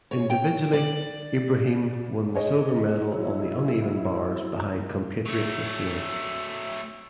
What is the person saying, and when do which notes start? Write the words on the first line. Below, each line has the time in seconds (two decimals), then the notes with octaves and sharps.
Individually Ibrahim won the silver medal on the uneven bars behind compatriot Hussein.
0.11 C#5
0.30 G5
0.73 D5
2.34 G#4 C#5 D#5
3.12 F#3 E4
5.26 F#3 A3